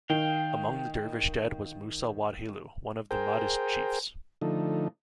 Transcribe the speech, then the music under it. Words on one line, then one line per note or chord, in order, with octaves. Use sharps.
Among the Dervish dead was Musa wad Helu, one of the Mahdist chiefs.
D#3 F5 G5
G#4 A#4 C5 G5
D3 F3 A3 D#4